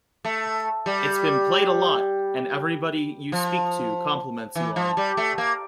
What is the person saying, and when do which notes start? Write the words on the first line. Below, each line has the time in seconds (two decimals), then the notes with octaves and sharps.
It's been played a lot, and everybody you speak to compliments you on it.
0.25 A3
0.86 G3
3.32 F3
4.55 E3
4.76 F3
4.97 G3
5.17 A3
5.38 A#3